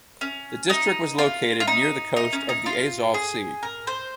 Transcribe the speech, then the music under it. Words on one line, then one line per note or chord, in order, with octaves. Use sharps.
The district was located near the coast of the Azov Sea.
C#4
D#4
F4
F4
D#4
D#4
C#4
D#4
F4
G#4
A#4
C5